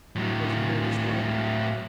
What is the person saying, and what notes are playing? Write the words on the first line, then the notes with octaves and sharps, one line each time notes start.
'Was he here this morning?'
A2 F#3